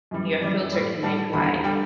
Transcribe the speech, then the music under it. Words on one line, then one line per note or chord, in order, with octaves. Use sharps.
your filter can make, like,
F#2 E3 G3
F#2 E3 G3 D5
A2 G3
A2 G3 A5
E2 D3 G3 B5
B5
D3 G3 G5